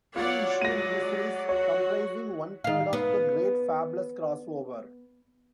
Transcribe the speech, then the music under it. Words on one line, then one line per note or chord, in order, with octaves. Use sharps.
Three issue miniseries comprising one third of "The Great Fables Crossover".
F#3 F4 C#5 D5 F#5
G#3 D5 A#6 D#7
F#4 C#5
D#3 F5
B3